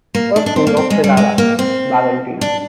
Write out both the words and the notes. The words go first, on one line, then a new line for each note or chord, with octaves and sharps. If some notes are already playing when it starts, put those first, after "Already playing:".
"First King of Shannara" Ballantine.
A#3
D4
D4
C4
A#3
C4
G#3
G3
G#3
A#3
C4
D4